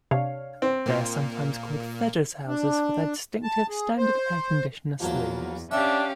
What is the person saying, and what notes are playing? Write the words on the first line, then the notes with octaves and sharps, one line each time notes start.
They are sometimes called "Fedders Houses" for their distinctive, standard air conditioner sleeves.
C3 D4 C#5 F5
C4
A#2 A#3 F4 G5 C6
D4
A5
G#4
C5
E2 F3 F#3 A#3
C#4 D4 G4 E5 F5